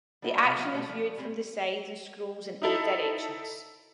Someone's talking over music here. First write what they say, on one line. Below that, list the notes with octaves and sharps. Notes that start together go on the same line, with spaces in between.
The action is viewed from the side and scrolls in eight directions.
G3 B3 D4 E4 F#4
C3 F5
E3 F#3 B3 E4 F4 F#5
B2 G3 A3 B3
F3 A3 D5
G3 G#3 C4
D#4 E4 A4